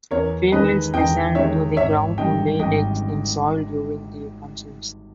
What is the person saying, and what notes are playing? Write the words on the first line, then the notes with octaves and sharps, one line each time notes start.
Females descend to the ground to lay eggs in soil during the monsoons.
E2 A#4 C#5
D#3 G#3 B4 D#5
E2 D#5 G5
D#3 G#3 C#5 E5
G#1 C#5 E5
G2 D#3 G3 D#5 G5
G#1 D#5 G5